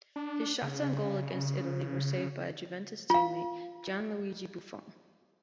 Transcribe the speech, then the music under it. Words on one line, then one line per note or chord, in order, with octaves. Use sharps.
His shots on goal against Italy were saved by Juventus teammate Gianluigi Buffon.
D4
C#3
F4 F5